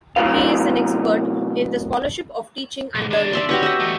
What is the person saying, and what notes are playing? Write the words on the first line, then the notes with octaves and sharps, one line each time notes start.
He is an expert in the Scholarship of Teaching and Learning.
A2 C3 F#3 B4 F5
B1 G#2
D#2 D4
D5 E5 C6
C#4 F#4 G4 B4
D#5 E5
E2 A3